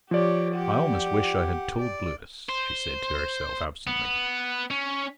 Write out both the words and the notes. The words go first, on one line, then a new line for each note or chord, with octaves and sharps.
"I almost wish I had told Lewis," she said to herself absently.
F3 G4 C#5 D5
G4 F#5 G5
D5
C5
B3
C#4